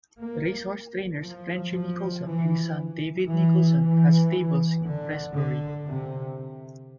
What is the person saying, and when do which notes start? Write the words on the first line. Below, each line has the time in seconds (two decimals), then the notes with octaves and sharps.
Racehorse trainers Frenchy Nicholson and his son David Nicholson had stables in Prestbury.
0.18 A#3
1.21 F3
1.73 F3
2.24 E3
3.27 E3
3.80 E3
4.83 D3
5.34 D3
5.86 C3